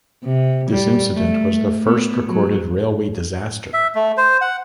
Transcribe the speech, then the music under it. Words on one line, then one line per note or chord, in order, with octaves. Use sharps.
This incident was the first recorded railway disaster.
C3
G3
A3
B3
F#3
E5
A3
C5
F#5